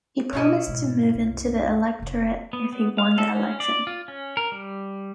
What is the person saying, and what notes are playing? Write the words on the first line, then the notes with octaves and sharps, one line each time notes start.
He promised to move into the electorate if he won the election.
B2 C#4 E4 D#5
G#2 B2
C2 F#2
F1 C3
B3
B3
F5
A4
C#4
D5
F4
C#4
A#4
G3